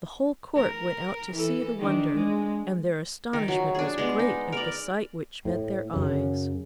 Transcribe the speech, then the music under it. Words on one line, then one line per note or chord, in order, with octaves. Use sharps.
The whole court went out to see the wonder, and their astonishment was great at the sight which met their eyes.
A#4
E3 A4
D#3 D4
G#3
D#3
F#3
D4 G#4
G#3 B3
D#4
A#4 D5
A2
F#2 C#3